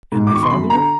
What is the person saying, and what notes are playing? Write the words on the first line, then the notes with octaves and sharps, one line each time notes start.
"And my father?"
G#2
D6
D#3 C#6
C6
F#2 B5
D3 A#5